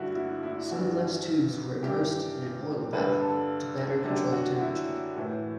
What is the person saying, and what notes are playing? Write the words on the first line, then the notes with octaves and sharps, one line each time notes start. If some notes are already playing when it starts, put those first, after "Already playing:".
Some glass tubes were immersed in an oil bath to better control the temperature.
Already playing: G2 D3 E4 F#4
E4
E4
G2 E3 F#4
G2 E3 G4
G2 D3 B4
A4
F#2 D3 G4
F#4
E4
A2 E3